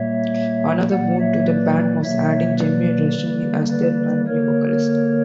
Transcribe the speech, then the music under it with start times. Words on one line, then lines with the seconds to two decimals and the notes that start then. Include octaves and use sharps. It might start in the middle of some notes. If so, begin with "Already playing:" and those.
Another boon to the band was adding Jimmy Rushing as their primary vocalist.
Already playing: A#2 G3 A#3 C#5 E5
0.91 A#2 F#3 A#3 D5 F#5
1.19 C#5 E5
1.47 B4 D5
2.03 B2 F#3 A#3 C#5 E5
2.59 B4 D5
3.15 D3 G3 A#3
3.71 B4 D5
4.27 D3 A#3 A#4 C#5